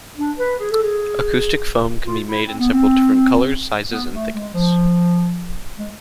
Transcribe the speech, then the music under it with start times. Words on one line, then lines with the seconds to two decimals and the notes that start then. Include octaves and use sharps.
Acoustic foam can be made in several different colors, sizes and thickness.
0.18 D4
0.39 B4
0.60 G#4
0.71 A4
0.83 G#4
2.05 F4
2.26 E4
2.46 C4
2.59 B3
2.72 C4
3.92 B3
4.13 A3
4.33 G#3
4.54 F3
5.78 G#3